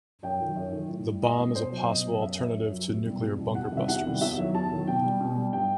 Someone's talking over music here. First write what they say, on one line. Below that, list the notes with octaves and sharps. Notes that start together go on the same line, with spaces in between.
The bomb is a possible alternative to nuclear bunker busters.
F#2 G5
D#3 F#3
F#2
D#3 F#3
A2
G3
A2 D#5
G3
B2 C5
F#3
B2 D#5
F#3
F#2 E5
F#3
F#2
F#3
E2
B2 G3
E2
B2 G3
E2 F#5
C3 D#3 G3
E5
E2 F#5
C3 D#3 G3
E2 E5
D#3 F#3
E2 A5
D#3 F#3
B2 G5
G3
B2
G3
G2 G5